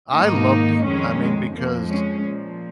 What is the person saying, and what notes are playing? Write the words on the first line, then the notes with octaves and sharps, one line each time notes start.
I loved it, I mean, because
G#2 D#3 A#3 D#4
F2 D#3 G#3 C#4
G#3
F2 F3 A#3
G#3 C#4
A#2 F3